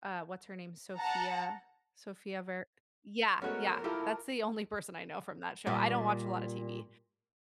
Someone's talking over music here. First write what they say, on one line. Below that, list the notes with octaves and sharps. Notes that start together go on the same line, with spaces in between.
uh, what's her name? Sofia, Sofia Ver yeah, yeah. That's the only person I know from that show. I don't watch a lot of TV.
F#5 A5 A#5
G#3 A3 B3 C#4 F#4 A#4 C#5
A2 E4 F4 G4 A4 A5
A#2 G3